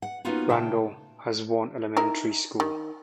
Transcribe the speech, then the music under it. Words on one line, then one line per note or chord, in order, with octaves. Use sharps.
Randall has one elementary school.
F#5
A#3 B3 C#4 D#4 F4 F#4
A#2 C#3 A3 G5 A5
D#4 E4 A#4
D#3